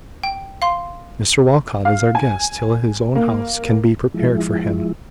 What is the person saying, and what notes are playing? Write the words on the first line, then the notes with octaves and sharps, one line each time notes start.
Mr Walcot is our guest till his own house can be prepared for him.
G5
F5 C6
F5
G#5
A#3
F3 G#3 E4